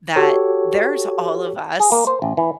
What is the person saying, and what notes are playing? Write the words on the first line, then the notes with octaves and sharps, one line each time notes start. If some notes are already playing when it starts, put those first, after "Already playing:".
that there's all of us
F#4 G4 A4 C#5
G#4
A#3
C5
A1
E3